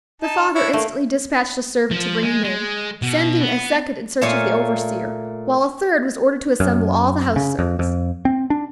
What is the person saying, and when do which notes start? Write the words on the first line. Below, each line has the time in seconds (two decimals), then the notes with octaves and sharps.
The father instantly despatched a servant to bring him in; sending a second in search of the overseer; while a third was ordered to assemble all the house-servants.
0.22 D#4 A5
0.55 D4 E4 C#5
0.73 A3 A#3
1.91 F3
2.23 G#3
2.44 G#3
3.02 B2
3.41 B3
4.21 A#2 A3 C#5 F5 G#5
6.60 F#2
7.36 C#3
7.59 F2
7.79 F2
8.25 C4
8.50 D4